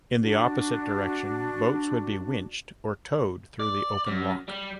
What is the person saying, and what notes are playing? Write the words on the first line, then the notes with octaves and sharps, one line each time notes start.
In the opposite direction boats would be winched or towed through the open lock.
D4 F#4
D5
F#2
G3